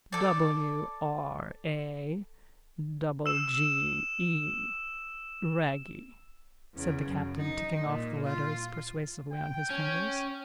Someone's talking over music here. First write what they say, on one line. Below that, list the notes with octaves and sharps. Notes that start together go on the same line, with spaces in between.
"W, R, A, double G, E--Wragge," said the captain, ticking off the letters persuasively on his fingers.
A4 D5
E6 E7
E2 C#3
F#2
D#4
A#2
F4
G5
C#4